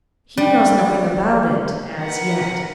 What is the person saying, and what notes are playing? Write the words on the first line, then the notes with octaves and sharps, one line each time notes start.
"He knows nothing about it,--as yet."
G3
A#4 B4 F#5